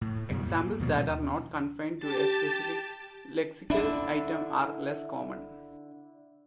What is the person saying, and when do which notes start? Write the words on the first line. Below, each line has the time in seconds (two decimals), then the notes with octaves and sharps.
Examples that are not confined to a specific lexical item are less common.
0.01 A2
0.29 F#2 B2 D3 G3
0.48 G2 A#2
0.80 D#2 B2 F3 G3
1.98 G4 A5 A6
3.70 D3 D4 E4